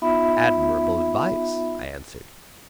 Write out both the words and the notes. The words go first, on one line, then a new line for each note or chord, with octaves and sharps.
"Admirable advice," I answered.
B3 D#4 F4 E5 B5